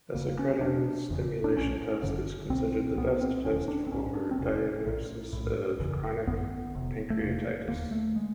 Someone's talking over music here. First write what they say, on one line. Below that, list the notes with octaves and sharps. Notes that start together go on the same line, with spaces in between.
A secretin stimulation test is considered the best test for diagnosis of chronic pancreatitis.
E1 D#2 C#3 A#3
C#4
F1 F2 C3 D4
F1 E2 C#3
D4
B1 A#2 C#4
G1 F#2 D3
C2 B2 C4
C2 A#2 B3
C4
E1 D#2 D3 C#4
D4
C4
B1 A2 C#4
D4
C4
E1 D2 C3 C#4
A#1 A#2
B1 A2
F#1 E2 C#3
G#1 F#2 D3 B3
E1 E2 C3
A3
E1 E2 C3 A#3
E1 D#2 D3 A#3
A3
G#3